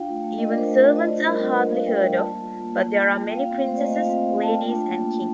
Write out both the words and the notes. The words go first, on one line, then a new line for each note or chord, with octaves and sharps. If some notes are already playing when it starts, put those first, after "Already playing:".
Even servants are hardly heard of, but there are many princesses, ladies and kings.
Already playing: D4 F4 F5 G5
A3
A3
F4 D#5
D5
D4 A#4 C5
A3
A3
F4 D#5
D5
D4 C5
G3 A#4
G3 D5
F4 D#5
D4 F5
G3 G5
G3 G5
A#3 A5
F4
F4
A#3
A#3
F4
F4
A#3
G5
F4 F5
C4
A3 C5
A3 D5
D#5
F4 F5
C4
A3
A3 A5
F4 G5
D4 A5
A#3
A#3
F4